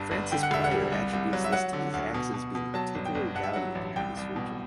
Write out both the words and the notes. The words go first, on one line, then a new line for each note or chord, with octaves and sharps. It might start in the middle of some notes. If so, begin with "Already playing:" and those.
Francis Pryor attributes this to these axes being particularly valued in this region.
Already playing: G1 G2
G1
D3 G5
F#5
E1 E5
F#5
G3
C2
C2
F#3
E5
F#3 F#5
D3
D2
B2
B2
B2
F#3 A5
G1
G5
G1
G2 F#5
E5
F#3 F#5
A1
C2 G5
C2
B2